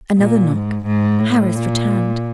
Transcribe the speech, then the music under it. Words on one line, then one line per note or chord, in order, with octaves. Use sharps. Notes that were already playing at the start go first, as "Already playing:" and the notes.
Another knock: Harris returned.
A#2
G#2
G#2
A2
A#2